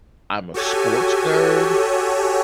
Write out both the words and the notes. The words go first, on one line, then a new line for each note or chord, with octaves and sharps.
I'm a sports nerd
F#4 G4 A4 C#5 G#5